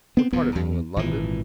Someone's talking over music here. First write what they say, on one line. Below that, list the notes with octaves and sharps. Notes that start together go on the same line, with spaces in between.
"What part of England--London?"
B3 C4
D#1 E2 G#2 B3
E2
G#1 A#2 E3